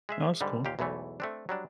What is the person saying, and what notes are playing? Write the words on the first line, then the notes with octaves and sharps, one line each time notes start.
Oh, that's cool.
G#3 G#4 E5
G#2 D3 G3
D#2 A#2 G4 F5
B1 E2 G#2 E3 A3
A3 C4 D4
F#3 G3 D4